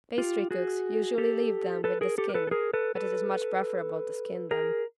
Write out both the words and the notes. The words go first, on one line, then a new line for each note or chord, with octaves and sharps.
Pastry cooks usually leave them with the skin but it is much preferable to skin them.
F4 G4
F#4 G#4
G4 A4
A4 B4
G#4 A#4
G4 A4
A#4
A4 B4
A4
G#4 A#4
A4 B4
A4 B4
G#4 A#4